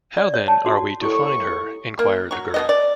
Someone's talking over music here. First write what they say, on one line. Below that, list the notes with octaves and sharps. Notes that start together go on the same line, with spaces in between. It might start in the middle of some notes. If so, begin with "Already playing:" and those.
How, then, are we to find her? enquired the girl.
D5
C#5
A5
F#4
D#2 A2 E4 A4 C#6
A#3
F#3 C#6
B2 B3 D#5
D5